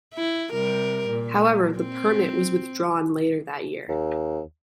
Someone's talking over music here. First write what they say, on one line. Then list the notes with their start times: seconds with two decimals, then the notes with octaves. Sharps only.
However, the permit was withdrawn later that year.
0.14 E4
0.52 C3 G3 A#4
1.09 A#2
1.79 C4
3.89 D#2